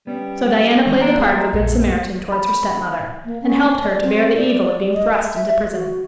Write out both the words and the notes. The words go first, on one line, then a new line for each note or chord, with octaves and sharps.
So Diana played the part of a Good Samaritan towards her stepmother, and helped her to bear the evil of being thrust into prison.
G3 B3 C#4
E3 G#3 C4 C#4
D4 A#5
G#3 A#3 B3 E5
A#1 F2 A3
B5
A#3
C#4
D5
C4
D5
D#5
E5
F#4